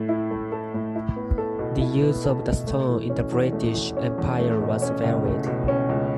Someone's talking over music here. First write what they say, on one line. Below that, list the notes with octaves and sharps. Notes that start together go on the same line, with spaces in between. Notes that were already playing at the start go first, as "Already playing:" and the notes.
The use of the stone in the British Empire was varied.
Already playing: A2 A3 A4
E4
A3
A4
A2
E4
B3
A4
B2
E4
B3
A4
B2
A3
E3
C#4
E2
A3
E3
C#4
E2
A3
B2
C#4
C#2
A3
B2
C#4
C#2